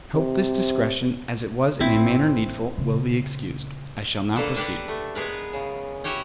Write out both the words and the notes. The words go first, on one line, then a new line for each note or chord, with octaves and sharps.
I hope this digression, as it was in a manner needful, will be excused. I shall now proceed.
C3
A1 C4 E4
A#2 C#3
D3 A#3 A4 B4 F#5
D4 G4 B4 D5 F#5
A3
G#3 B3 G#4 A#4 B4
C#3
E4 F#4 G4 C#5 D#5